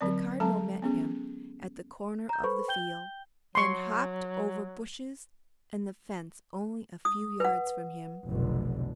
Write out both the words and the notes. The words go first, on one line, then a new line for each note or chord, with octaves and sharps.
The Cardinal met him at the corner of the field, and hopped over bushes and the fence only a few yards from him.
D3 F#3 C4 D5
F#3 G#3 A4 A5 A#5
B3 C#4 G#4
A#5 G6
A4 B4 C5 B5 C#6
G5 G6 G7
F#3 C6 C#6
D#6
B4 F#5
F1 B1 D3